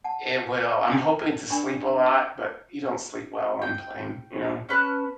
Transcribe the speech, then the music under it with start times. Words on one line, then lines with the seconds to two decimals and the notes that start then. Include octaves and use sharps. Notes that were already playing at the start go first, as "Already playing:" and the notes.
It will. I'm hoping to sleep a lot, but you don't sleep well on plane, you know?
0.04 F#5 A5
1.50 D4 A#4 D5 G5 B5 C#6
3.62 G5
4.69 C#4 B4 A5 F#6